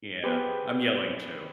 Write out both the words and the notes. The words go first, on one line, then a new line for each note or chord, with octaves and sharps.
Yeah, I'm yelling too.
B3 G4 G#4 B4 C5